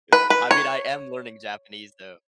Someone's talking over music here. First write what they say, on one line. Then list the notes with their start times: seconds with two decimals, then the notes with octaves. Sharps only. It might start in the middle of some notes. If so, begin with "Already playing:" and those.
Yeah. I mean, I am learning Japanese though,
0.13 B4
0.30 B4
0.51 C#5